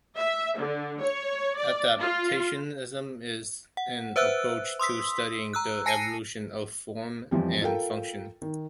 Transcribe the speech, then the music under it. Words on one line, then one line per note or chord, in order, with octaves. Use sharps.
Adaptationism is an approach to studying the evolution of form and function.
E5
D3
C#5
D5
F4
F#5
B4 C5 E5 E6 F#6
C6 D#6 E6 B6
A#5 E6 F#6
G#5 A5 A#6 C7 C#7 D#7
F2 E3 F3 G3
F4 A4 A#4 F5 G5
D#3